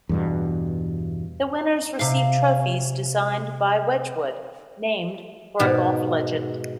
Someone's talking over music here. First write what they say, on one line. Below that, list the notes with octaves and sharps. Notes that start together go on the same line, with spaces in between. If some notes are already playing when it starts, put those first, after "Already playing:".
The winners receive trophies designed by Wedgwood named for a golf legend.
E2 G2 B2
C3 F5
G#2 B2